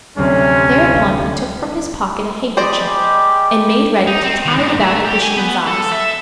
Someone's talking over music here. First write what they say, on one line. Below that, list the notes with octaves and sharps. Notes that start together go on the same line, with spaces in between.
Thereupon he took from his pocket a handkerchief, and made ready to tie it about the fisherman's eyes.
D2 C3 F#3 C#4
G3 G#3 G4 C5 D5 D#5
D#4
C4
D#3
G#2
A3
G4
G#5
B3
A4
E5